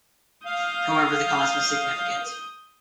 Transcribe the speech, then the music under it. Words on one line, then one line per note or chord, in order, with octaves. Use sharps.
However, the cost was significant.
F5 D#6 G6